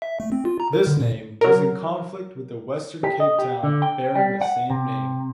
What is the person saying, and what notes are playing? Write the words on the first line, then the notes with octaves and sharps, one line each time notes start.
This name was in conflict with a Western Cape town bearing the same name.
E5
A3
C4
F4
A#5
A#4
D3
A#2
F#3 A#4
G4
D#5
G4
D3
G5
G3
F#5
C3